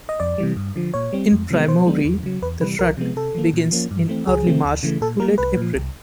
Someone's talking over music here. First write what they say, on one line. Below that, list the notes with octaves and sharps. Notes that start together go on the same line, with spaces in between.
In Primorye, the rut begins in early March to late April.
D#5
F2 D5
C3 E3 G3
G2
D3 F3
A#2 C#5
G3 C4
F2
C3 E3 G#3 B3
B2 C5
G#3 B3 D4
E2
C#3 F#3
E2 B4
C3 E3 G3 B4
C2 A#4
C3 F3 G#3 B3
C3 A4
F3 A#3
A#2
F3 A#3 C#4
G2
E3 A3 C4
C#2 G#4
C3 F3 A3 C4
D2
C#3 E3 A3
A#2 A4
G3 A#3 A#4
C2 B4
A#2 F3
C2